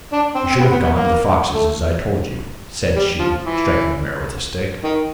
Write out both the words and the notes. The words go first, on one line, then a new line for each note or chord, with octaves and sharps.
'You should have gone to the foxes, as I told you,' said she, striking the mare with a stick.
D4
C4
C4
B3
B3
B3
A#3
A3
G3
F3
E3
D#3